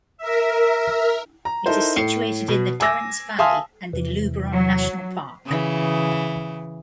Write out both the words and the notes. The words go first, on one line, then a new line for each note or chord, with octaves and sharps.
It is situated in the Durance Valley and the Luberon National Park.
A#4 E5
A#5
D#4 E4 A4 A#4 C5
A2 C7 C#7
B2
G#5 D6 E6 A#6
E5 F5 G#5 A5 C6 D#6
E2 C3 E3
F#3
C#3 E3